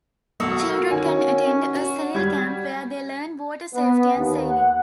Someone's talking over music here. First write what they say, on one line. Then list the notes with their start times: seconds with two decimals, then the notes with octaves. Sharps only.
Children can attend a Sail Camp where they learn water safety and sailing.
0.40 B1 A#3 F#4 A4 E6
0.91 D#3 C#4 G#5
1.75 F#4
2.15 G3 G#6
3.74 B3
4.16 D#2
4.50 F#5